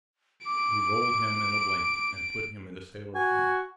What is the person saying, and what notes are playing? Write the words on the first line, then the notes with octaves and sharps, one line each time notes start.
We rolled him in a blanket and put him in a sailor's bunk.
D6 D7
F#4 G#5